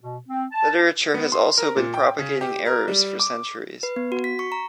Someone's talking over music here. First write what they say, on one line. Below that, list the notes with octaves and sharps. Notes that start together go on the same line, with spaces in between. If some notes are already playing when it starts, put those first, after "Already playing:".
Literature has also been propagating errors for centuries.
B2
C4
A5
B3
C6
A#4
A#2
G5
C#3
G4
A#4
G3
D6
B4
B3
F#4
B6
C#6
A#5